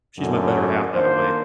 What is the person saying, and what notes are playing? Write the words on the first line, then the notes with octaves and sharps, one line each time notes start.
she's my better half that way.
F#2 A2 D3
D#3 A#3 D4 F4 C5